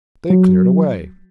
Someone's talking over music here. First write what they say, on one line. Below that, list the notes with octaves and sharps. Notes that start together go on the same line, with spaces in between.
They cleared away.
F#3